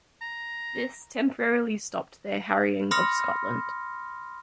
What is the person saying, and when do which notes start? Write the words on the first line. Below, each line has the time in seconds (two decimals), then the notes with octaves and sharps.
This temporarily stopped their harrying of Scotland.
0.21 A#5
2.91 B5 C6 D#6 F6 A#6 C#7